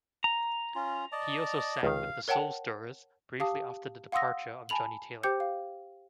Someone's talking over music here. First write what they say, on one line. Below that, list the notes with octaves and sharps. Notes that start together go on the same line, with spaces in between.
He also sang with The Soul Stirrers briefly after the departure of Johnnie Taylor.
A#5
C#4 F4
D5 D#5 A5
C#2 D#3 F5
A#4 C#5 F#5 G5 A5
G4 F5 A5 D#6
F5 F#5 C6 D#6 E6 A#6
G#5 A5 B5 F7 F#7
G4 C5 G5 D6 G6 C#7
F5